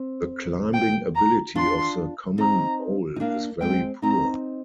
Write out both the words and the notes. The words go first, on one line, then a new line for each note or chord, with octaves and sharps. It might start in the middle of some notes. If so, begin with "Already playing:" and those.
The climbing ability of the common vole is very poor.
Already playing: C4
G5
A#5
D4 F4 C6
C4 D#4 A#5
D#4
A#3 D4 F5
G#3 C4 G5
C4 D#4 A#5